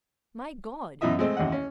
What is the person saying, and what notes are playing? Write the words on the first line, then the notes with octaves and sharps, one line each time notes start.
My God!
F#2 B2 E3 D#5 E5 D#6
G#3 A3 C4 D#5
A1 D#2 D#5 F#5
C#4